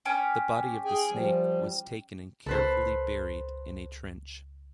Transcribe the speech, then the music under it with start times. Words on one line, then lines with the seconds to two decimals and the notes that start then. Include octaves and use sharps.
The body of the snake was taken and carefully buried in a trench.
0.05 C#4 G4
0.85 G#4 G5 G#5
1.11 F3 G3
2.46 C#2 A4 B4 C5